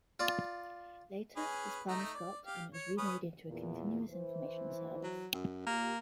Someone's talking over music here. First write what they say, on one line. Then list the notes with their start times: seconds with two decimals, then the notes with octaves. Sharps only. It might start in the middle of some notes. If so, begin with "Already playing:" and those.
Later, this plan was dropped, and it was remade into a continuous information service.
0.20 F4 D5
1.37 C#4 G#4 B4
1.88 A3 D#4 A#5
2.14 D5
2.46 G4 F5
2.74 C#5
2.98 C#4 B4 D#6
3.48 E2 A#2
4.09 E3 C5
5.03 F#3
5.34 F#2
5.66 A#2 A#3 G4